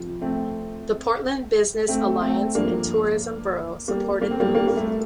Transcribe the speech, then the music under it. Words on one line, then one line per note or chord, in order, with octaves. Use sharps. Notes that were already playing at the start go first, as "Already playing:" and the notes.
The Portland Business Alliance and tourism bureau supported the move.
Already playing: F2 C3 F3
A3 C4
A3 C4
A3 C4
G2 F3 A#3 D4
G3 A#3
A#3
C4
G3 A#3
G3 A#3
A#3
A3